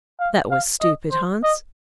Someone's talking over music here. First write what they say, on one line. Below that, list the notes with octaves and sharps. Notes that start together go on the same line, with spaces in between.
'That was stupid, Hans.
F5
F5
D#5
C5
D#5